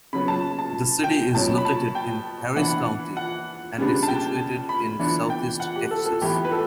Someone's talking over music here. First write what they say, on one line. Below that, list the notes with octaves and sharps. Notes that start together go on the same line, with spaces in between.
The city is located in Harris County and is situated in Southeast Texas.
C#3 F#3 B3 B5
A5
A5
G5
B2 F#3 C#4 A5
B5
A5
G5
E3 B3 D4 F#5
F#5
F#5
C#3 G3 B3 D4
A5
G5
B5
E3 B3 D4
G5
F#5
G4
A4
A4
A2 E3 B3 G4
B4
A4